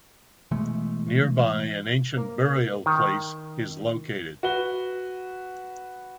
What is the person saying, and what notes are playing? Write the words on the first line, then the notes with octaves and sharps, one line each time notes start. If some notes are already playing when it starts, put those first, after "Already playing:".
Nearby an ancient burial place is located.
B2 E3 G#3 A3
A#3
D#3
F#4 B4 G7